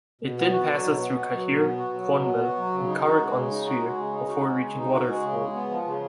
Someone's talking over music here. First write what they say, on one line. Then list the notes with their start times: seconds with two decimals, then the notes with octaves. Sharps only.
It then passes through Cahir, Clonmel and Carrick-on-Suir before reaching Waterford.
0.21 B2
0.37 B3
0.52 F#4
0.68 F#3
0.84 B2
0.99 B3
1.15 F#4
1.31 F#3
1.47 B2
1.62 B3
1.77 F#4
1.94 F#3
2.09 B2
2.24 B3
2.41 F#4
2.56 F#3
2.72 C#3
2.88 D#4
3.02 F#4
3.19 G#3
3.35 C#3
3.50 D#4
3.66 F#4
3.81 G#3
3.98 C#3
4.13 D#4
4.28 F#4
4.44 G#3
4.60 C#3
4.76 D#4
4.91 F#4
5.07 G#3
5.22 C#3
5.39 G#3
5.53 B3
5.70 F3
5.85 C#3